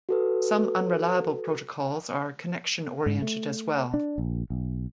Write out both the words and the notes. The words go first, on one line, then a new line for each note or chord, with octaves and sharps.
Some unreliable protocols are connection-oriented as well.
F#4 A4 B4
G#2
A3
D4
A#1
B1